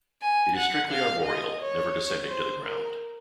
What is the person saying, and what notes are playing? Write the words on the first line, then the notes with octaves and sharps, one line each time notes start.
It is strictly arboreal, never descending to the ground.
G#5
F#5
F5
D#5
C#5
C5
A#4